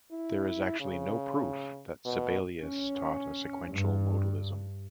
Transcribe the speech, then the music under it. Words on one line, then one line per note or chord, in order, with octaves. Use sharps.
There is actually no proof that Sabellius taught a sequential modalism.
E4
C#3
B2
C#4
G2